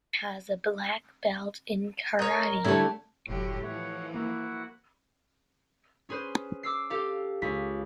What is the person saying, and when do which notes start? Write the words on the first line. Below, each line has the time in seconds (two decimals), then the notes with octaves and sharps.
He has a black belt in karate.
2.19 A#4 C#5 D#5
2.64 D3 G3 A3 E4 C#5 A5
3.29 F1 A2 D3 F#3 G4
3.64 E3 F3 A3 C#5 F#5
4.14 A#3 E4 F#4 F#5
6.09 C#4 G#4 B4 C5
6.63 D6 E6 C7
6.90 G4 A4 F5
7.42 C#2 B6